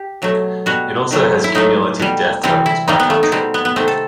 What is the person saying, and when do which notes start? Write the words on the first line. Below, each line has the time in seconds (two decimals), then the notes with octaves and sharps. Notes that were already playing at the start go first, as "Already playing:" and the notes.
It also has cumulative death totals by country.
Already playing: G4
0.22 B2 F#3 A3
0.66 B2 G3 F#4
1.11 D#3 F#3 A3
1.44 E4
1.55 A2 F#3 A3 D#4
1.99 B2 G3
2.43 C3 E3 G3 C4
2.66 E4
2.88 C3 D#3 G3 D#4
3.00 B3
3.10 A3
3.23 D#4
3.32 B2 G3 C4
3.54 B3
3.65 B3
3.76 C3 D#3 A3 C4
3.88 A4